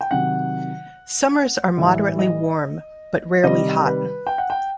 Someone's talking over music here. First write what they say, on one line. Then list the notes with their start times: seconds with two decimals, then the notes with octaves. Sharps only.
Summers are moderately warm but rarely hot.
0.01 G5
0.11 C3 D#3 F#3 F#5
1.77 A2 E3 G3 E5
2.19 D#5
3.43 C3 D#3 G3 D#5
3.86 B4
4.27 G5
4.38 F#5
4.50 G5